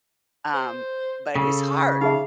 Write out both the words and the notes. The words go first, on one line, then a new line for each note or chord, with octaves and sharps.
um, but it's hard,
C5
C#3 A4
D#4 G#4 E5 F5